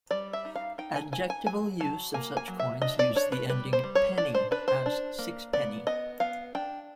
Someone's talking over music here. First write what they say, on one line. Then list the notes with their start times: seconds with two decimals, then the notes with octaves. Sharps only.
Adjectival use of such coins used the ending -penny, as "sixpenny".
0.11 G3 D5
0.33 E5
0.45 D#4
0.55 F5
0.78 D#4 G5
0.96 G#5
1.12 D#4 G#5
1.30 G#5
1.46 F#3 G#5
1.80 F#3 A5
2.14 A#3 G#5
2.37 G#5
2.48 F#3
2.60 E5
2.82 D4 D#5
2.99 D5
3.15 D4 C#5
3.32 B4
3.50 G3 B4
3.73 C5
3.84 G3
3.95 C#5
4.18 D4 D5
4.35 C5
4.51 D4 B4
4.68 C5
4.86 D4
5.18 A#3
5.53 B3 D5
5.87 B3 D#5
6.20 B3 F5
6.55 D4 G5